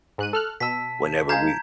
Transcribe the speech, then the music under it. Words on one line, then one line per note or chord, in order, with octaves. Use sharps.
Whenever we
G#2 F#6 D#7
A4 F6 F#6
B2 A5 E6 B6
G#3 F5 A#5 G6 G#6